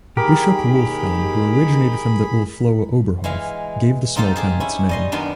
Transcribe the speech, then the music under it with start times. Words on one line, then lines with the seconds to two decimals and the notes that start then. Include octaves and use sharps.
Bishop Wolfhelm, who originated from the Ulfloa Oberhof, gave the small town its name.
0.17 D#2 D#3 G4 G#4 A#4 B5
3.24 E3 G#3 F5
4.16 C4 D#4 F4 G4 A4 C5
4.36 G4 G#4 C5
4.60 C#4 E4
4.89 G3 D#5 C6
5.12 F#2 D#3 B3 D4 D5 C6